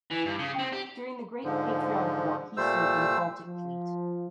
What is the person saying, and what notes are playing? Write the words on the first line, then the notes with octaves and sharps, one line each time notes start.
During the Great Patriotic War he served in the Baltic Fleet.
E3
G2
C#3
C4
G4
G#2 D3 F3
A#2 G3 A3 C5 E6
F3